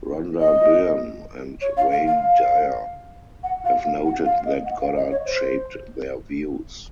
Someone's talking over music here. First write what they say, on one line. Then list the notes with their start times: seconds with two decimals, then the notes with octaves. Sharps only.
Rhonda Byrne and Wayne Dyer have noted that Goddard shaped their views.
0.40 D#5
1.61 C#5
1.77 F5
1.92 F5
2.07 F5
2.23 F5
3.43 F#5
3.65 F5
3.84 F5
4.05 F#5
4.25 F5
4.45 D#5
4.66 F#5
4.81 F5
4.96 D#5
5.11 C#5
5.26 C5